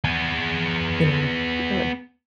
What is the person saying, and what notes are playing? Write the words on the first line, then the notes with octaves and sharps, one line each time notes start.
You know, that would
B3 G#4